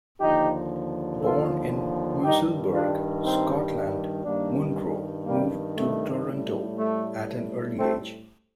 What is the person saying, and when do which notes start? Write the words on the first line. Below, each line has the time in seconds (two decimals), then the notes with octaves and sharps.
Born in Musselburgh, Scotland, Munro moved to Toronto at an early age.
0.20 D#2 D3 F3 D#4 G4
1.21 F4 A4
2.23 G2 D#3 G3 D#4 G4
2.73 D4 F4
3.23 C4 D#4
4.24 G2 D#3 G3 A#3 D4
5.25 G3 A#3
5.77 A3
6.27 A2 G3
6.78 A3
7.78 A3 C4